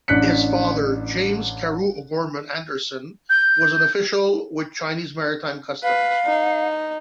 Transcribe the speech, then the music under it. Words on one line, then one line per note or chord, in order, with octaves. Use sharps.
His father, James Carew O'Gorman Anderson, was an official with Chinese Maritime Customs.
A1 D4 F#6 B6 C#7
G6
B4 F5
D#4